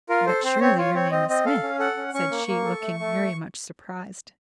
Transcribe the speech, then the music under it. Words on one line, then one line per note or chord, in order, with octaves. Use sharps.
"But surely your name is Smith?" said she, looking very much surprised.
F4 A#4
A4 C5
C4 C5
C4 C#5
F4 C#5
C4 C#5
C4 D#5
C4 D#5
A4 F5
C#4
A4 F#5
C#4
C#4 C#6
A#3
A#3
A4
A3
A3